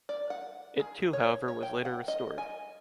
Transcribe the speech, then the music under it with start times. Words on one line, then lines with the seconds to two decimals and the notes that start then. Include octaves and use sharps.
It too however was later restored.
0.09 D5
0.30 F#5
0.80 G#4
1.13 C#5
1.48 C#5
1.63 G5
1.85 F#5
2.08 D#5
2.38 G#5